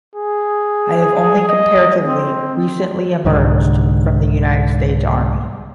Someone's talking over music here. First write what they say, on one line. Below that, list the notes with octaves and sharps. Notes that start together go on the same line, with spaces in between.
I have only comparatively recently emerged from the United States Army.
G#4
D#5
C4
C2 G#2 D3